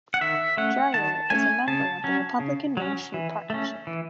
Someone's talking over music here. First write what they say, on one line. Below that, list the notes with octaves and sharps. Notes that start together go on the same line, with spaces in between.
Dreier is a member of the Republican Main Street Partnership.
F#5
D#3 E5
A3 C#4 F#5
D#3 A5
A3 C#4 G#5
C#3 A5
F#3 C#4
C#3
F#3 C#4
E3
A3 C#4
E3